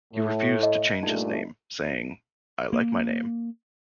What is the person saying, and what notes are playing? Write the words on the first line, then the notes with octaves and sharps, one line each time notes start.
He refused to change his name, saying, I like my name.
A2
D#5
G2 A#2 A3 D#4
A#3